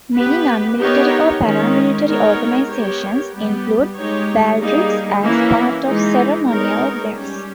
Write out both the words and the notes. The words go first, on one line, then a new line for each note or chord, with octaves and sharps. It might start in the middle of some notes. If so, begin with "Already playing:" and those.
Many non-military or paramilitary organisations include baldrics as part of ceremonial dress.
B3 G4 B4
B3 D#4 G4 A#4 C#5
D#3 G#3 C#4
G#3 B3 D#4 A#4 C#5
B3 G4 A#4 C#5
G3 B3 G4
G#3 D#4 G4 C#5
G3 A#3 D#4 G#4
E3 A#3 C#4 E4
E3 G#3 D#4
G#3 B3 D#4 A#4 C#5
G3 C#4 G4